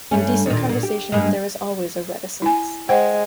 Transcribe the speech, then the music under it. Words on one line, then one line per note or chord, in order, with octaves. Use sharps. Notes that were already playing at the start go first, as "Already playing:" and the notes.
In decent conversation there is always a reticence.
G2 A3 C#4
D#2 A#2
A#2 A#3
G4
G2 G#3 A#3
E4 G#5
G#3 C5 F#5 G5